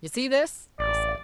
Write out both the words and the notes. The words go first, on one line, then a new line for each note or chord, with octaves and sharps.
"You see this?" he said.
A1 D5